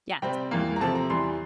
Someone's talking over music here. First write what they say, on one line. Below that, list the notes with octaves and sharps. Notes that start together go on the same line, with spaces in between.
Yes. Mhm.
C3 G3 C4 G5
E2 E3 A#3
A#5
C3 F3 A3 C4 A5
A#5
E2 E3 G3 C6